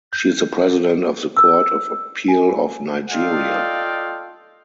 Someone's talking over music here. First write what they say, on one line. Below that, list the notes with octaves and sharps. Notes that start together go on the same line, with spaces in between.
She is the President of the Court of Appeal of Nigeria.
G6
E6
G#5
F4 A4 D5 D#5 F5 G5